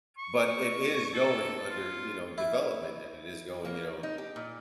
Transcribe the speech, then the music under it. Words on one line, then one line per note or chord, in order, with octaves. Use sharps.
but it is going under, you know, development, and it is going, you know
C#6
A4
F4
E4
A#3
D#4
G4
A#2